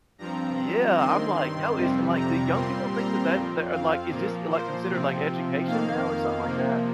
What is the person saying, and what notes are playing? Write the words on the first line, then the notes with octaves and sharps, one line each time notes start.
Yeah, I'm like, "Yo" it's like, do young people think that that that are, like is this, like, considered, like, education now or something like that?
G2 F3 C4 A#5
G2 D#3 C4 C6
C6
F2 C3 G3 C4
A#5
A#2 G3 C4 C6
A#5
F2 F3 C4
F5
A#2 F3 A#3
C5
C3 F3 C4
F2 D#3 A#3 F5
F5
C3 F3 A#3